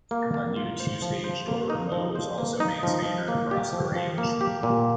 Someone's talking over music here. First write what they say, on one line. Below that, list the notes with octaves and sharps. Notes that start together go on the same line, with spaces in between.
A new two-stage door remote was also made standard across the range.
A#3
A#3
F4
C5
F3
C5
A#3
D#4
F3
C5
A#3
D#4
F3
F3
A#3
G4
F3
F3
A#3
G4
A#2